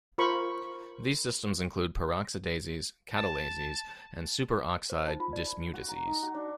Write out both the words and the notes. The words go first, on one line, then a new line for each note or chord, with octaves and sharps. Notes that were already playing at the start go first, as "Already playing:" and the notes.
These systems include peroxidases, catalases, and superoxide dismutases.
F4 A#4 C5 B5 C#6
A5
C5
D#4
F4
D5
F#4
A#5
D#4
F#4
D4